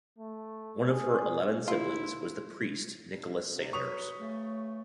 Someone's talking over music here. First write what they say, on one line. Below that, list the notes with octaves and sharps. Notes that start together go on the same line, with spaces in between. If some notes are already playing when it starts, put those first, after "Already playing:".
One of her eleven siblings was the priest Nicholas Sanders.
A3
G#4
E4 F4
C3
F#3 B4 C#6 D#6 F7
C#3 A3